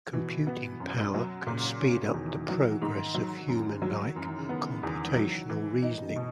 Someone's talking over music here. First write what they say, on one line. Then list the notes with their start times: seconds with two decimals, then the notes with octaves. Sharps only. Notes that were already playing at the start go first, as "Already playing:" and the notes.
Computing power can speed up the progress of human-like computational reasoning.
0.13 B2 E3
0.47 B3
0.80 F#2
1.14 F#3
1.47 A#2 C#3
1.70 C#3
1.80 C#4
1.92 B2
2.14 E2 D#3
2.26 E3
2.38 D#3
2.48 E3 F#3
2.61 D#3
2.72 E3
2.82 G#2 D#3
3.14 F#3
3.48 F#2 D#3
3.82 F#3
4.15 F#2 E3
4.27 D#3
4.38 C#3
4.49 D#3 B3
4.82 E2 D#3
4.94 E3
5.05 D#3
5.16 F#3
5.50 E3
5.82 D#4
6.16 B2